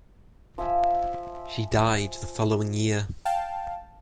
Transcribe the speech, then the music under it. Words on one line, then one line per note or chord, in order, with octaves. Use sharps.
She died the following year.
F3 E5 G#5
F5 G5 A5